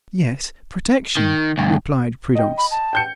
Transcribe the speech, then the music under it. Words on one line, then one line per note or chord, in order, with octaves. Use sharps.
"Yes, protection," replied Prudence.
D#3
D2 G2
D#5 G5
B5
A5
G5 G6 C#7